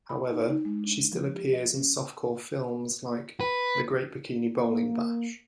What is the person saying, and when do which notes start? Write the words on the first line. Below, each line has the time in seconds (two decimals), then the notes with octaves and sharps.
However, she still appears in softcore films like "The Great Bikini Bowling Bash".
0.09 B5
0.31 D#4
0.50 D#4
0.65 G#3
0.84 D4
1.12 F3
1.35 G4
1.53 D#5
1.74 C#4
3.40 B4
4.70 A#3